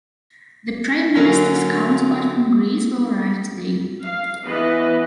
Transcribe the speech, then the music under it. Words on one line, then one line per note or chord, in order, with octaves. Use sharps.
The prime minister's counterpart from Greece will arrive today.
D3 F#3 A#3 C#4
F5
E3 B3 B4 D#5